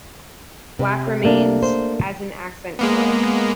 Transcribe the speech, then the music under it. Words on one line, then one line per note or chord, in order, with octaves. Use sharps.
Black remains as an accent color.
C3
A3 A#3 D4
C5
G#3 A#3 B3